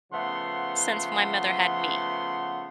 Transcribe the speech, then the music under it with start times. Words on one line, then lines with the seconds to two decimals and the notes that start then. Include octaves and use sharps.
since my mother had me,
0.12 C#3 F3 A3 B3 F#5 C6